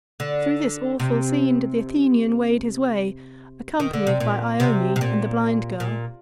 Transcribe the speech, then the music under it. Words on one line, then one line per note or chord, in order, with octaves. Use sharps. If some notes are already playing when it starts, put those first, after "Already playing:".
Through this awful scene did the Athenian wade his way, accompanied by Ione and the blind girl.
D3
C3
D#3
D3
C3
A#2
C3
C3
A#2
A#2